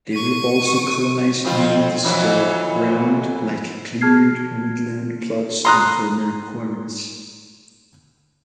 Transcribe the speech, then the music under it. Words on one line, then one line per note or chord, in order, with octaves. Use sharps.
They will also colonise newly disturbed ground like cleared woodland plots and former quarries.
C#6 D#7
F2 C4 F4
F2 E3 F#3
G#4 A5 F6 G#6 C7
A4 A#5 C6 D#6 F#6